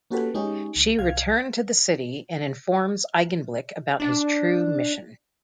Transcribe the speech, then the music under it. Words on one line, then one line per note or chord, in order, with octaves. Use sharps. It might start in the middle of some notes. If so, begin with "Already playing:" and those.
She return to the City and informs Eigenblick about his true mission.
A#3 C#4 F#4 G4 A4 B4
G#3 C#4 D#4 G4
C#2
C2 F5 G#6
D4